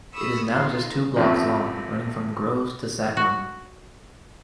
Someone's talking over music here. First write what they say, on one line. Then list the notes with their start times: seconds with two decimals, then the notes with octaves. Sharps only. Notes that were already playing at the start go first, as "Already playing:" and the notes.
It is now just two blocks long, running from Grove to Sachem.
0.14 B5 C#6 D#6 E6
0.49 B3 D#4 F4 A4
1.16 A1 F#2 C3 F3 A3
3.17 F#4